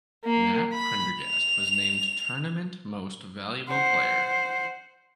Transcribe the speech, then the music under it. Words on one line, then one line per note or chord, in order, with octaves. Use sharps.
Matt Prendergast was named Tournament Most Valuable Player.
A#3
B5
F7
C5 F#5